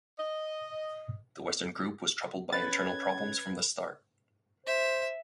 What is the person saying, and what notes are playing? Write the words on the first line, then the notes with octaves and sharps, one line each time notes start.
The western group was troubled by internal problems from the start.
D#5
C#4 B4 G#6 A6
C5 E5